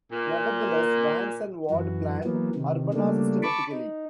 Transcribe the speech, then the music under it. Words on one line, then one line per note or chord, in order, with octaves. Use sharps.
Nevertheless, Vance and Ward planned Urbana systematically.
A#2
F#2 E3 F#4
E3 F#3 A#3 B3
C3 D#3
C#3 G3 A3 A#3 D4
A5 B5 C#6 D6
D#4